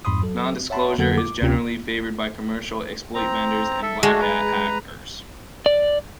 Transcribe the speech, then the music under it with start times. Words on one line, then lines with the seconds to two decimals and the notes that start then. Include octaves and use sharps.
Non disclosure is generally favoured by commercial exploit vendors and blackhat hackers.
0.05 F2 G#2 B5 C6 D#6
0.22 F#3 A4
0.70 C#5 E5 F#5 A5 B5 C6
0.98 F2 D3 F#3 A#3 A4 F#5
1.18 D6
1.41 D2 C3 C#4 F4 G5 G#6
3.15 C4 A#5
3.83 A4 E5
4.03 G#3 A3 D4 F#4
4.22 B4 A#5
5.66 D5